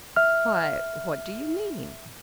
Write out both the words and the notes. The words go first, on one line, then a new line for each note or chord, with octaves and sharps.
"Why, what do you mean?"
E5 F6